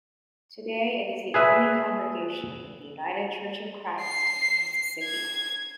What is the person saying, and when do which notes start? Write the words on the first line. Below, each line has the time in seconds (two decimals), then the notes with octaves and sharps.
Today it is the only congregation of the United Church of Christ in Mississippi.
1.34 G#4 B4 E5
4.01 C7
5.04 G#6